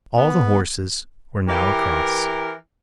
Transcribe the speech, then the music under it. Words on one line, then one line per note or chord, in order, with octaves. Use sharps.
All the horses were now across.
B3
E3 G4 A#4